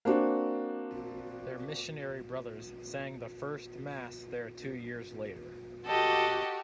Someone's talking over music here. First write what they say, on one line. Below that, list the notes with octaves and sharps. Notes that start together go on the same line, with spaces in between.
Their missionary brothers sang the first Mass there two years later.
A#3 C4 D4 F#4
F#4 G4 A4 D#5